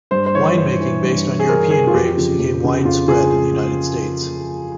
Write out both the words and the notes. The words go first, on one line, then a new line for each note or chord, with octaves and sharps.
Wine making based on European grapes became widespread in the United States.
G2 C5
C5
E3 C#5
G2 C5
E3
G2
E3
G#4
G2 A#4
E3 G#4
F4
F2 G4
C#3 F3
F2
C#3 F3
F2 F4
C#3 F3 G#4